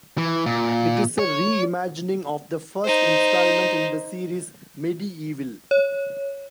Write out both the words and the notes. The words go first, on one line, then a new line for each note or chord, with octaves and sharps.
It is a re-imagining of the first instalment in the series, "MediEvil".
E3
A#2
C#5
D#4 C5
C#5